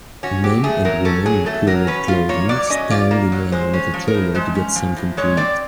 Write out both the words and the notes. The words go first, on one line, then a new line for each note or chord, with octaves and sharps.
Men and women in period clothing stand in line at a trailer to get something to eat.
C#4 F#4
F#3 G4
A3 G#4
F#3 A#4
C#4 A4
F#3 G#4
A3 A4
F#3 A#4
C#4 B4
F4
A#3 C#5
F#3 D5
C#4 D#5
F4 D5
A#3
F#3
G#3 C5
C#4
F3
A#4
A2
G#3 C5
C#4
F3
A2
G#3 C#5
C4 D5